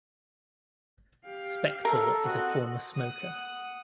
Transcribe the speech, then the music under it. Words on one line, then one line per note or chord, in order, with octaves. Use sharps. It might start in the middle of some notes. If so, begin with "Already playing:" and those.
Spektor is a former smoker.
G4 F5
A4 A#4
C4 F#4 D#5 F#5
F#5 D#6